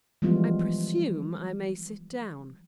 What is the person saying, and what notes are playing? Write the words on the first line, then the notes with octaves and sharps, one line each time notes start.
"I presume I may sit down?"
E3 F3 G3 G#3 B3 F4